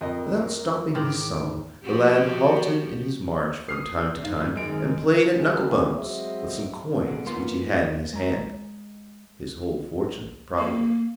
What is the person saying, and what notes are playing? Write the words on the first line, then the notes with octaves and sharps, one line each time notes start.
Without stopping his song, the lad halted in his march from time to time, and played at knuckle-bones with some coins which he had in his hand--his whole fortune, probably.
F2 A#4 D#5
G#2 D#3 E3 D6
F3 F#4 G4
D#6 F6 C7
G#2 F5
F#2 C3 D#3 G#3 D7
C#2 C#3
F#3 G#3 B3 C4 D#5 E5
B2 D3 G#4 F#5
G#2 A#3 B3 F4 C6
G#3 A#5
A#3